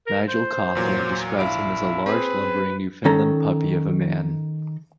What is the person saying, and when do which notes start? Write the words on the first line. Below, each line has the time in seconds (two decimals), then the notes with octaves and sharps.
Nigel Cawthorne describes him as a large, lumbering, Newfoundland puppy of a man.
0.07 A#4
0.28 C5
0.75 E2 A#2 F#3
1.39 A#1 E4 F5 D7
2.06 C4 G#4 B4
3.05 D#3 C#4 A4 A#5